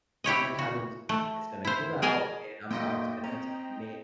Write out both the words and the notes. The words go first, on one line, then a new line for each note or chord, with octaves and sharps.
my metabolism is gonna is gonna give out, and I'm obviously gonna have to commit
E4 G4 C#5 D#5
F#4
A3
E4 C5
G#4 A#4 D#5 G#5 A5
B1 F#2 A#2 A#3 D#5 G5
C4 C#4 A#5